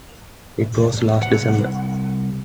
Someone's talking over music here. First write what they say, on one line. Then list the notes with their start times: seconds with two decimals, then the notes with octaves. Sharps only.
It was last December.
1.23 C2 F#5